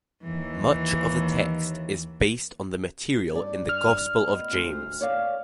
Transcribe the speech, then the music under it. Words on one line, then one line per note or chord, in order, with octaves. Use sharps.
Much of the text is based on material in the Gospel of James.
D#2 E3
G2 D5
F6
B3 D#5
D2 A3 C5
C#5 D5 F5